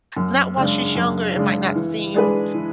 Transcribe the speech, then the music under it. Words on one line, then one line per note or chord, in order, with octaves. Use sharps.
not while she's younger, it might not seem,
F#2
C#3 G#3 D4
F#2
C#3 G#3 D4
E3
G#3 D4 G#4 B4
E3